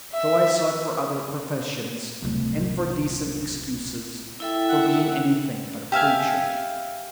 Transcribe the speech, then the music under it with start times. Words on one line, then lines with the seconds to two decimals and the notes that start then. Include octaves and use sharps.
So I sought for other professions and for decent excuses for being anything but a preacher.
0.13 E5
2.22 D1 C2
4.40 E4 A4 E5 G5
4.69 F#5
5.92 G4 E5 F5 G#5